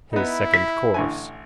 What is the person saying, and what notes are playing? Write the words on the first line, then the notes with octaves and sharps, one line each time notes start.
His second course.
B3 D#4 E4
B6
A1 D3 G#5